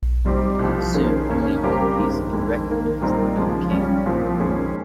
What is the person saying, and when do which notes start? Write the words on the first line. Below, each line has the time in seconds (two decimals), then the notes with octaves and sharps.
Soon they made peace and recognised the new king.
0.25 C3 G3 C4 D#4 G4
0.59 C2 C3 F3
0.94 D#3 A#3 C#4 G#4 C5
1.29 F1 D#2 D#3 A#3 C#4
1.63 C#3 G3 C4 G4 A#4
1.97 G1 F2 D#3 G#3
2.32 F2 D#3 G#3
2.66 G#2 D#3 A#3
3.01 A#2 G3 C4 D#4 A#4
3.36 D#2 C#3 F3 G#3
3.71 C#3 G3 C#4
4.05 C2 A#2 F3 C4
4.40 F2 D#3 G#3 C#4 G#4